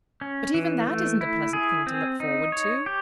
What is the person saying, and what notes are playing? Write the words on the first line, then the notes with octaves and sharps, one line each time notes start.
But even that isn't a pleasant thing to look forward to.
C#4
E3
A3
E4
G#4
C4
D#4
C#5
G4